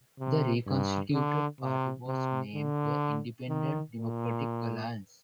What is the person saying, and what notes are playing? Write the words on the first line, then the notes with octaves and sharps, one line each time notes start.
The reconstituted party was named the Independent Democratic Alliance.
C3
G2
D3
C3
C3
D3
D#3
A#2